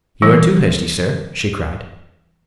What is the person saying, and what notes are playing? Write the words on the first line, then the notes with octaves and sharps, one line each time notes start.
"You are too hasty, sir," she cried.
E3 G3